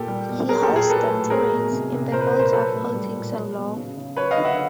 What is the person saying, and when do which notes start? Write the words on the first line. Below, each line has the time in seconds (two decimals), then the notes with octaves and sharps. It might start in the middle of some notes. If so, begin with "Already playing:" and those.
He holds doctorates in the fields of politics and law.
Already playing: A#2 G4 A4
0.08 G3
0.29 B2
0.49 F#3 G#4 A#4
0.63 G4 A4
0.69 A#2
0.76 G#4 A#4
0.90 F#3 A4 B4
1.10 A2
1.30 F#3 G#4 A#4
1.52 B2
1.71 C3
1.93 C3
2.12 A#2 A#4 C5
2.21 B4
2.26 A#4 C5
2.33 A#2
2.39 A#4 C5
2.53 F#3 A4 B4
2.74 A2
2.94 G3
3.15 A#2
3.35 F#3
3.56 B2
3.76 C#3
3.97 C#3
4.17 F#3 B4 C#5
4.31 D#5 F5
4.38 D3
4.44 E5 F#5